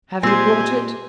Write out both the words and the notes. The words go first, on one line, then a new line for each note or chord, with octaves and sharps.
"Have you brought it?"
A#2 G#3 C4 G4 C5 G#5